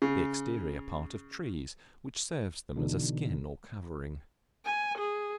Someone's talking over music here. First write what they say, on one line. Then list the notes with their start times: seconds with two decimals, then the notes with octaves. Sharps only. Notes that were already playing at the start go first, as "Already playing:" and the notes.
The exterior part of trees, which serves them as a skin or covering.
0.02 C#3
2.76 B2 D3 E3 D4 D#4
4.65 G#5
4.98 G#4